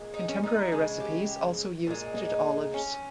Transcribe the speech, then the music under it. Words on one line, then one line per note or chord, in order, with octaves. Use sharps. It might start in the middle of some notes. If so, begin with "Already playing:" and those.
Contemporary recipes also use pitted olives.
Already playing: A#2 G#3
D#4
C#4
D#4
C#3 G#3
G4
A#2 G#3
D#4
C#4